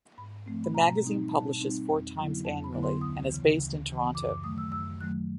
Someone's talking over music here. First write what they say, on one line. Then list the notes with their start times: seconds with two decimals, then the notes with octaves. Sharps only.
The magazine publishes four times annually and is based in Toronto.
0.18 G#2 B5
0.46 F3 A3 C4
0.64 B5
0.74 B2 A#5
1.03 G3 C4 D#4
1.31 B2 A5
1.59 G3 C4 D#4
1.88 F2
2.16 D3 F#3 B3 E4
2.45 F2 A5
2.64 B5
2.73 D3 F#3 B3 E4
2.83 C6
3.01 D2 D#6
3.30 C#3 E3
3.59 D2
3.87 C#3 E3
4.15 F#2 D6
4.29 D6
4.43 D#3 F#3 A3 D#6
4.58 E6
4.72 F#2 E6
5.00 D#3 F#3 A3 F#6